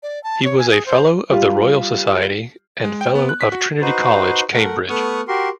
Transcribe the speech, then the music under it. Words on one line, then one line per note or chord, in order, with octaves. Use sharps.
He was a fellow of the Royal Society and Fellow of Trinity College, Cambridge.
D5
A5
C#5
G#5
G#4
C5
G3 F4
G#3
G5
B3
F#6
B6
F#4
D#4 F#4 B4 C5
A3 A#4 F#5
A3 B3 F#5 C#6 D#6 F6
F#4 G4 A#4 C6